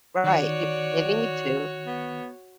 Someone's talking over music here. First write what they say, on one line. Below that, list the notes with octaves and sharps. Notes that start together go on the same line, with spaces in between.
Right, you you need to,
D#3 F#4 C#5 D5
B3